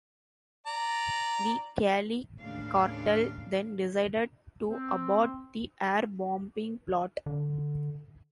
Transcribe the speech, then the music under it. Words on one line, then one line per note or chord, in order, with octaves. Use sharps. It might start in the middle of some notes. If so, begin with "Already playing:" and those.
The Cali Cartel then decided to abort the air bombing plot.
D5 A#5
D#2 A2 C#3 D4 F5
C4
D3